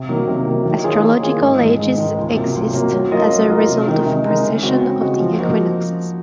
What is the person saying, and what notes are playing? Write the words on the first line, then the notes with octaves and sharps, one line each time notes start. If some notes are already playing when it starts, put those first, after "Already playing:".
Astrological ages exist as a result of precession of the equinoxes.
Already playing: C3
D#3 F#3 A#3
C3
D#3 F#3 A#3
D#3
A#3 F4 G#4 C#5
D#3
A#3 F4 G#4 C#5
G#2
D#3 G#3
G#2
D#3 G#3
C#2
C3 F#3 A#3
C#2
C3 F#3 A#3
F#3
A#3 F4 A#4 D#5
F#3
A#3 F4 A#4 D#5
C3
D#3 G#3 D#4 A#4
C3
D#3 G#3 D#4 A#4
C#3
G#3 C4 F#4
C#3
G#3 C4 F#4
F3
A#3 D#4 F#4 C5
F3